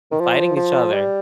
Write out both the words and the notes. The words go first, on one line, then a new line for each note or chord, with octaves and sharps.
fighting each other,
D#3
F3
F3
G3